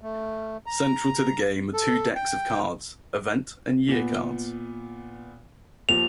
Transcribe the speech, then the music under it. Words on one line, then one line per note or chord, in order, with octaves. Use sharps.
Central to the game are two decks of cards, Event and Year cards.
A3
A#5
A4
G5
A#2 B3
D#2 F3 F7